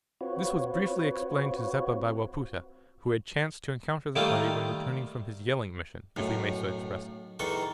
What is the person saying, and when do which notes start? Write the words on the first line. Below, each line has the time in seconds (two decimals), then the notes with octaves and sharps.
This was briefly explained to Zeppa by Wapoota, who had chanced to encounter the party when returning from his yelling mission, if we may so express it.
0.21 C4 F4 F#4 B4 C#5
4.16 D#3 G3 A3 A#3 F4
6.16 B1 F#2 A2
7.39 E2 D#3 E3 A4 C#6